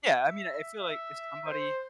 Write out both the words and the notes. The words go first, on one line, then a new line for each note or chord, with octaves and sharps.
Yeah, I mean I feel, like, if somebody's,
E5
E5
C5